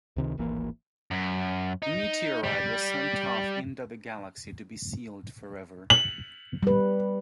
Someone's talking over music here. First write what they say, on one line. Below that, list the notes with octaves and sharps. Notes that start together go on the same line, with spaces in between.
The meteorite was sent off into the galaxy to be sealed forever.
C#2 C3 D#3
D1 G#1 E3 A#3
F#2
D#4
G3
F#7
G3 B4